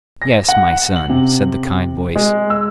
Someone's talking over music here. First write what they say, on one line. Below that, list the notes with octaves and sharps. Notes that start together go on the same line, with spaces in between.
"Yes, my son," said the kind voice.
A#6
F#5
F#7
C3
G#3
E6